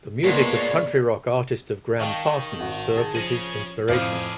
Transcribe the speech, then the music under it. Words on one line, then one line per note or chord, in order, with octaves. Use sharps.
The music of country-rock artist of Gram Parsons served as his inspiration.
A#2 G#3 A#3 B3 D4 C#5
D#3 D#5 F5 G5 A5 C#6
G#1 F#4
G#4 A5 A6
F3 C#4 G#4 A#6 D#7
F2 A2 G#4 C5 D5 F5 F6